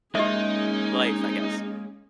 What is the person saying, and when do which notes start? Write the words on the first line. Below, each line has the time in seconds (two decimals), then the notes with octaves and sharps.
life, I guess
0.15 G#3 A#3 C#4 D#4 G4 G#4 D#5 E5